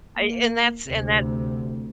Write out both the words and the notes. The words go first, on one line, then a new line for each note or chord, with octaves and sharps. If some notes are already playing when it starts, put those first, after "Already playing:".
I and that's and that
A#3
D2 C3